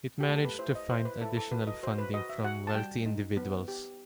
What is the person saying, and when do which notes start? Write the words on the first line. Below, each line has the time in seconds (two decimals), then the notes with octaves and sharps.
It managed to find additional funding from wealthy individuals.
0.20 G4
0.29 A3 A4
0.45 B4
0.59 E4 C5
0.75 D#5
0.90 E4 C5
1.05 B4
1.21 E4 A4
1.37 A4
1.51 F#4 B4
1.67 D#5
1.83 F#4 C5
1.98 B4
2.14 F#4 D#5
2.30 E5
2.44 F#4 F#5
2.67 A5
2.75 G3 G5
3.06 D#4
3.37 B3
3.68 G4